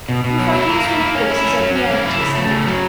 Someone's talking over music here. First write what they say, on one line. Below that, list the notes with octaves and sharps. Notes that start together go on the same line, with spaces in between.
"You'll find useful indexes at the end," he said.
B2
B2
F#3
E4
A#3
E4
A#3
C#4
E4
C#4
F#3
C#4
A#3
E4
C#3
A3
C#3
F#3